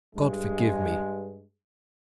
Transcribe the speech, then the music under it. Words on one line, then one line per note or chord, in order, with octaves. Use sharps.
God forgive me!
G2 G#3